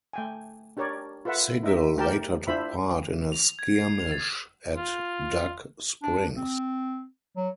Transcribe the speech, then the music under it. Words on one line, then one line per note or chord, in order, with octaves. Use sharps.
Sigel later took part in a skirmish at Dug Springs.
A3 G5 G#5
D4 G4 A#4 C#5 D5
F4 A4 B4 E5 F#5
D#4 D#5 E5
A3 G4 A#4 G5 A5
D4 E4 F4 C5 E5 B5
F7
G#6
C7
F7
A6
F4
D4
C4
F#3